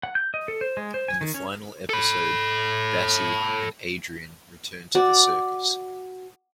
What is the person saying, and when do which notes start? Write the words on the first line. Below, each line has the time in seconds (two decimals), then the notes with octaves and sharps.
In the final episode Bassie and Adriaan return to the circus.
0.03 F#5
0.15 G6
0.34 D#5
0.48 A4
0.61 C5
0.77 G#3
0.94 C5
1.08 G#5
1.21 D#3
1.34 C#4
1.89 A4 B5
4.95 F#4 D5